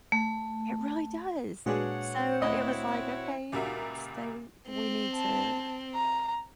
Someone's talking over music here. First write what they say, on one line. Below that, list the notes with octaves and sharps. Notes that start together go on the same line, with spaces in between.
It really does! So, it was like, "Okay, so, we need to,
A3
A#2 G#3 D4 F#4 G#4 B4 C#5 F#5
D2 C4 E4 D#5 B5
C#2 A#2 G3 F#4 A#4 E5
C4
A5
A#5